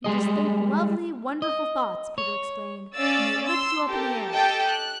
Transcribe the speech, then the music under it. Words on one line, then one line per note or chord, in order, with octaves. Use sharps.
"You just think lovely wonderful thoughts," Peter explained, "and they lift you up in the air."
G3 G#3 G#4 D#5
D#5
C#5
C#4 D5 F5 E6 A6
C6 E6
G4 A4 A#4
G4 A4 D#5 G5 A5
F#6